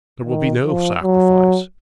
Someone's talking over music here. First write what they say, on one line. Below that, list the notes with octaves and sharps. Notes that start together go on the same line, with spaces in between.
There will be no sacrifice.
D#3
F3
F#3